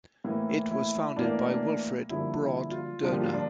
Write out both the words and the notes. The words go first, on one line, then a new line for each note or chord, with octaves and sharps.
It was founded by Wilfred "Brod" Doner.
A2 E3 A#3 E4
E4
A2 E3 A#3 D4
D4
G2 D3 F3 A#3 E4
E4
F4
G2 D3 F3 A#3 F4
G4
F4
D4